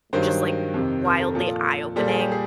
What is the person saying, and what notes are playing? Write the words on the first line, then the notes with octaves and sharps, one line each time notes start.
just, like, wildly eye-opening,
G2 D#3 F#3 C5
C5
F2 C3 D#3
A#4
A4
A#2 F3 A4
A#2 G3 A4
G#4
G4
G#4